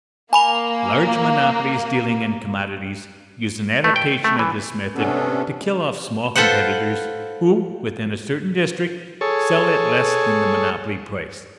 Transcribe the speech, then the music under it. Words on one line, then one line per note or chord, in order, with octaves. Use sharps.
Large monopolies dealing in commodities use an adaptation of this method to kill off small competitors who, within a certain district, sell at less than the monopoly price.
A#3 G#5 B5 F7
A3
G5
A3
E3
C3 B3 C#4 D4 A4
F4 A4 B4 C5 F#5
G#4 A4 C#5